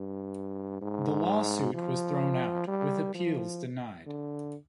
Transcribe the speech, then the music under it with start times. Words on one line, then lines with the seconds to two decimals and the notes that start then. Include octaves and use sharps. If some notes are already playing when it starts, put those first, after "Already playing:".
The lawsuit was thrown out, with appeals denied.
Already playing: G2
0.81 G#2
1.75 F3
2.67 G3
3.14 F3
4.07 D3